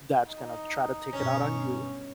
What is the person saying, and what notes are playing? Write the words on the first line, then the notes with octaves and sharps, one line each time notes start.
that's gonna try to take it out on you
D#4
G2 B2 C#4